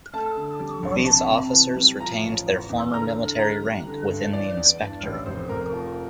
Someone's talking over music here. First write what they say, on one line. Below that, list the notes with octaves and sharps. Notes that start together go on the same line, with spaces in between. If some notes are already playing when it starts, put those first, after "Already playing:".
These officers retained their former military rank within the Inspectorate.
A3 A5
D3
G3
A#1
C3 A5
C3
E3
G3
F3 A#5
A1
E2
E2
D3 A#5
D3
E3 A#5
G3
D3
G2
E3 D5
E2
G2
A1
F1 C5
F1 A#4
F3